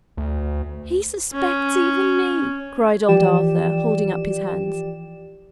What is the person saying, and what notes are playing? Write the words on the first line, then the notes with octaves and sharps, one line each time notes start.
'He suspects even me!' cried old Arthur, holding up his hands.
D2
C#4
E3 F3 G4 D5 G5 E7